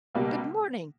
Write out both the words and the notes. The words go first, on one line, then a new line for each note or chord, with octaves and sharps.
'Good morning!
C#2 B2 G3 A#3